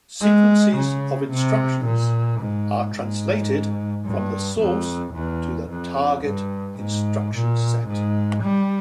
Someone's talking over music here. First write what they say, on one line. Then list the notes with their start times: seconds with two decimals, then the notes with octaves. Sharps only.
Sequences of instructions are translated from the "source" to the "target" instruction set.
0.21 G#3
0.76 C#3
1.31 C3
1.85 A#2
2.40 G#2
2.96 G#2
4.05 G2
4.60 F2
5.14 E2
5.69 F2
6.24 G2
6.78 G#2
7.34 A#2
7.88 G#2
8.43 G3